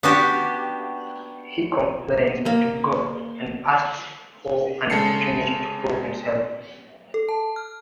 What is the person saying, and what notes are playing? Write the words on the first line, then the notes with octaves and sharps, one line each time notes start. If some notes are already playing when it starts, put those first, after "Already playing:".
He complains to God and asks for an opportunity to prove himself.
B3 D4 F#4 G4
A#3
C#3 G#3 A4 A5 C7 C#7
A4
A5
F6